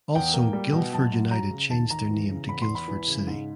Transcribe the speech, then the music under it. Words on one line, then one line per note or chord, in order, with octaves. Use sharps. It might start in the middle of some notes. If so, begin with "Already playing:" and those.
Also Guildford United changed their name to Guildford City.
E2 G5
A#3
G3
B2
F#2 A5
F#2
F#3 A#5
C#3
D#2 A5
D#2 A#5
E3
C#3
E2 B5
C6
E2
B5
E3
C#3
G#2